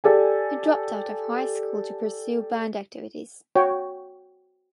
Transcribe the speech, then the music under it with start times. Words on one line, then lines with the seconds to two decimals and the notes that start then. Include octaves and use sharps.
He dropped out of high school to pursue band activities.
0.04 G4 A4 D5 G#5
3.55 F#4 C#5 G5